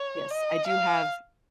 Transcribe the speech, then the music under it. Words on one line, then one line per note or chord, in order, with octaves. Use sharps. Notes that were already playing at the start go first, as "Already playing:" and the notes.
Yes, I do have
Already playing: C#5
D#5
F5